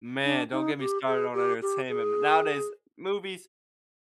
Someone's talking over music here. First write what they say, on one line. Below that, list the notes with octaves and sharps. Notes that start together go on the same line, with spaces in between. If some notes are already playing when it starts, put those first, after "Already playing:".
Man, don't get me started on entertainment. N Nowadays, movies,
D4
D#4
G4
G#4
G4
G4
G#4